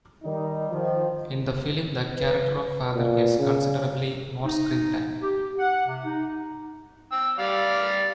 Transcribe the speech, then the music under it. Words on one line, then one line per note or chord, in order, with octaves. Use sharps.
In the film, the character of "Father" gets considerably more screen time.
D#3 G3 D#4
D#3 F3
B4
A#2
C#3
D#4
G4
F#5
C3
D#4
G5 E6
G3 D5 F5